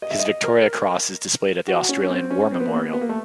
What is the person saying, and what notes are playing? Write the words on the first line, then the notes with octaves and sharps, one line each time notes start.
His Victoria Cross is displayed at the Australian War Memorial.
D#5
E5
D#5
A#4
F#4
C#4
C#4
C4
C#4
C4
B3
A#3
B3
B3
A#3
A3